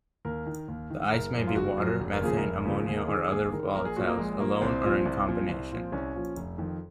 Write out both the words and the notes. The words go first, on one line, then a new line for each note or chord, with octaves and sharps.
The "ice" may be water, methane, ammonia, or other volatiles, alone or in combination.
D#2 A#4
D#3
D#2
D#3
F#1 A#4
F#2 F3
F4
F#1 F#4
F#2 F3
F1
A#4
D#2 C#3 F3 G#4
A#4
F1
D#2 C#3 F3
D#2 G#4
A#4
D#3 G#4
D#2 G#4
D#3 A#4
A#1 A#4
G#4
A#2 F3 F#4
A#3
A#1 G#3
A#2 F3 A#3
A#3
C2 C4
A#2 F3
C2
A#2 F3
C2
A#2 F3
C2 C#4
A#2 F3
F1
F2 D#3